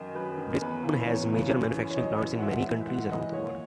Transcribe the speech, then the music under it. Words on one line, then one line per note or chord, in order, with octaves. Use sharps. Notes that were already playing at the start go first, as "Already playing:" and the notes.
Bridgestone has major manufacturing plants in many countries around the world.
Already playing: F#2 D#3 D#5
F#2 B4
D#3
E2 B4
C#3 E3
E2 C#5
C#3 E3
F#2
E3
C#5
F#2 D#5
E3
F#5
G#2 E5
E3
G#2 F#5
E3 D#5
A#2 C#5